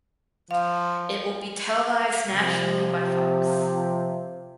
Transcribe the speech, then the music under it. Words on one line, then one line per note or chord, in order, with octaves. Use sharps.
It will be televised nationally by Fox.
F3 F5
C3 F3